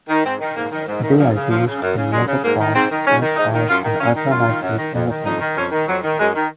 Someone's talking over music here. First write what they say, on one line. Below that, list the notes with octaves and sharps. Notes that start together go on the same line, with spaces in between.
They are used in motocross sidecars and ultra lightweight aeroplanes.
D#3
G#2 C4
D#3
G#2 A#3
D#3
G#2
D#3
F#2 F3
C#3
F#2 F3
C#3
F#2
C#3
F#2 G#3
C#3
G#2 A#3
D#3
G#2 C4
D#3
G#2 C#4
D#3
G#2 D#4
D#3
F#2 F4
D#3
F#2 C#4
D#3
F#2 F4
D#3
F#2
D#3
F2
D#3
F2 D#4
D#3
F2 C#4
D#3
F2 F#3
D#3
F#2 G#3
D#3